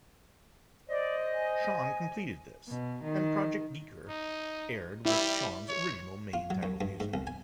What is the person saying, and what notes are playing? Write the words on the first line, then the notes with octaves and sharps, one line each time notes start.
Shawn completed this and Project GeeKeR aired with Shawn's original main title music.
C5 D5 D#5
G#5
B2
D#3
D#4
G3 E4
C#5
F4
F#3
F#2
G2
G#2
C2
G#5